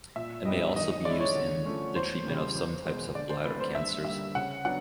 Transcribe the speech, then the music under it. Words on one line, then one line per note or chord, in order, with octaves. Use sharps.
It may also be used in the treatment of some types of bladder cancers.
A#2 E5
G3 B3 D4 D#5
D#3 D#5
D#5
G#3 C#4 E4 D5
C#5
D3
F3 A3 C#4
E2 C5
C#3 E3 G3 A#3
E2
B2 G#3
D3 D5
C5
F#3 A3 C4 E4 B4
C5
G2 E5
D3 G3 A#3 E5
C#3 F#5
F#3 B3 D4 F#5